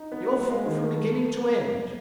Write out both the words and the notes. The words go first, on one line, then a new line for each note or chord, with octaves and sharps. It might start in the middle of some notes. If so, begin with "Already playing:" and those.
'Your fault from beginning to end.'
Already playing: D#4
B3
A#2
G#3
D#3
A3